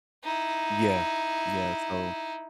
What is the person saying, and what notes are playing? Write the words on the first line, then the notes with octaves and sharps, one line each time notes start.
Yeah, yeah, so
D#4 E4